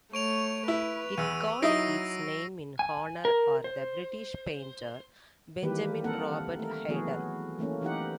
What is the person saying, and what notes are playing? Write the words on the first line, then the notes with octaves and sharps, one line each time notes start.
It got its name in honor or the British painter, Benjamin Robert Haydon.
A3 C#5 C#6 D7 F7
E4 B4
E2 E6 D#7
F#3 D#4 E4 D#5 A#6 C7 D7
G#5
A#4
C5
D#3 E3 G3 A#3 G4 B4
A#3 C4 A4 A#4 F#5
A3 A#4
E3 F#3 B3 F#4 G#4
E3 A3 A#3 C#4
E3 D#4 G4 F#5